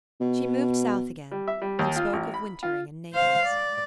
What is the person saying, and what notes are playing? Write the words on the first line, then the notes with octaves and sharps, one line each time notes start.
She moved south again, and spoke of wintering in Naples.
B2
G3
E5
G3
D#2
F4
A1
B5
F4
C5 F5
D5